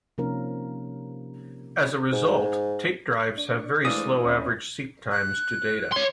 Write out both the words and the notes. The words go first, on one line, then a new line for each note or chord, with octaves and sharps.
As a result, tape drives have very slow average seek times to data.
C3 F3 A#3 C#4 D#4 A#4
G#2
D4 D5 C#6
E3 G#3 A3 D4 C5 F5 D#6
D#2 C4 C#4 E4 C#5
F#6
C#5 C6